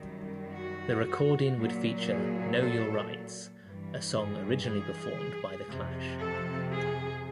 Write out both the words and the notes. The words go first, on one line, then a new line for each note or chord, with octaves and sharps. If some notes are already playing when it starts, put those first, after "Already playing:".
The recording would feature "Know Your Rights", a song originally performed by The Clash.
Already playing: F#2 D#3 G3
F#4
A#2 F#3
G#4
A4
G2 E3 G3
G#4
G#4
F2 C3 F3
A4
G#4